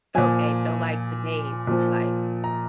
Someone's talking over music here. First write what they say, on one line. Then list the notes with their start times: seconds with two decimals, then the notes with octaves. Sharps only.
Okay, so, like, today's life?
0.15 A#2 F3 G#5
1.67 A#2 F3
2.44 A#5